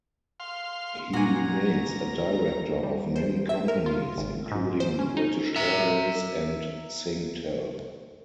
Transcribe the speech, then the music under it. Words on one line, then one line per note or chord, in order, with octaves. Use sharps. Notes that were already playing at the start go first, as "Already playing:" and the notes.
He remains a director of many companies, including British Airways and SingTel.
F5 C6
A#2 F#4 G#5 A#5
G3
C5
E5
A#4
F4
G#1
G#2
C5
C#4
D#4
E5 A#5